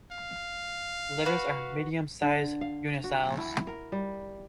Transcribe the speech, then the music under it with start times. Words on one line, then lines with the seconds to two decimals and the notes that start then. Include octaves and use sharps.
The letters are medium-sized uncials.
0.12 F5
1.25 F#4 B4
2.22 D3
2.61 F5
3.04 F#4
3.38 E4
3.67 A#4
3.92 G3